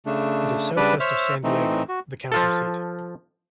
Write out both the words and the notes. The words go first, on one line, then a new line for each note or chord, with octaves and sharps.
It is southwest of San Diego, the county seat.
C#3 A3 D4
C#3 G3 D4 B4 D5
C5 C#5 E5 E6 F6
E3 A3 C4 D#4
F#4
F3 F4 A4